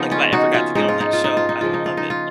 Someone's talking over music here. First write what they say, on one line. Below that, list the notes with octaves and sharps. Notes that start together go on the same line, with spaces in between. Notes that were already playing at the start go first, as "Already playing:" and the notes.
like, if I ever got to get on that show, I would love it.
Already playing: C#3 F3 A#3 B3 D#4
C#4 F4
D#4 F#4
C#4 F4
G#2 F3 G#3 D#4
F4
D#4
F4
D#4
F4
D#4
C#3 F3 A#3 F4
D#4
F4
D#4
F4